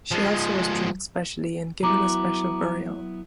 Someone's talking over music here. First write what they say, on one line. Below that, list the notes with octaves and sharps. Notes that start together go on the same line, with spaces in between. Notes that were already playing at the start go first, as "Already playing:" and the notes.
She also was treated specially, and given a special burial.
F3 G#3
F#3 B3 E4 A#5 D6